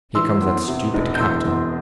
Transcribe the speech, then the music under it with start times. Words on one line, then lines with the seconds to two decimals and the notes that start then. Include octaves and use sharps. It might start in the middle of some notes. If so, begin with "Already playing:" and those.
"Here comes that stupid captain."
0.15 E3 C6 E6
0.41 E2
0.68 C3
0.94 E1
1.15 G6
1.20 E3 C6 E6
1.47 E2